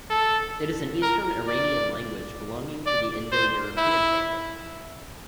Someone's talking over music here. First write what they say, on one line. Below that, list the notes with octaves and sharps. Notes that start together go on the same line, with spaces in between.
It is an Eastern Iranian language, belonging to the Indo-European family.
A4
A#4
D5
D5
C5
E4